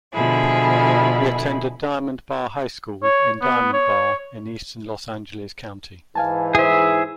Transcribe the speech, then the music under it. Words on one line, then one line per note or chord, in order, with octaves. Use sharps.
He attended Diamond Bar High School in Diamond Bar, in eastern Los Angeles County.
B2 D3 F3 E4 G#4
C#5
B3
C#5
G#2 E3 F5 G#5 A5
E4 G#4 C5 E5